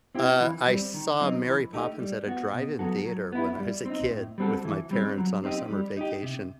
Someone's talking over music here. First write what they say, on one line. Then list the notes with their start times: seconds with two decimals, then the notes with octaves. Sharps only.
Uh, I saw Mary Poppins at a drive-in theater when I was a kid, with my parents on a summer vacation.
0.15 C4 E4 G4
0.40 E3
0.67 G3 C4
0.94 D#3
1.20 F#3 C4 D#4
1.47 E3
1.73 A3 D#4 G4
2.00 G3
2.26 B3 F#4
2.53 B2
2.79 F#3 B3 F#4 A4
3.06 F#3
3.32 B3 E4
3.59 G3
3.85 C4 D#4
4.11 A2
4.38 G3 C4 F#4 A4
4.65 E3
4.91 G3 C4
5.18 F#3
5.44 C4 D#4 G4
5.71 G3
5.97 D#4 G4
6.23 C3